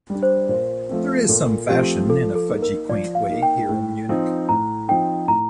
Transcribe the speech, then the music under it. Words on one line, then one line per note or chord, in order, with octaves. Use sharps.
There is some fashion, in a fudgy quaint way, here in Munich.
G3 D4
C5
A#2 C5
F3 A3 C4
A#2 A4
F3 A3 C4 G4
F3 A4
A4
A#3 D#4
A#4
F3 D5
F5
A#3 D#4
G5
A2
F3 C4 D#4
A2 A#5
F3 C4 D#4 G5
A2 A#5